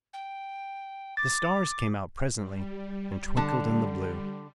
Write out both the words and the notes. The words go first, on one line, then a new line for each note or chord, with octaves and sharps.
The stars came out presently and twinkled in the blue.
G5
D6 A6
G3
D3 A5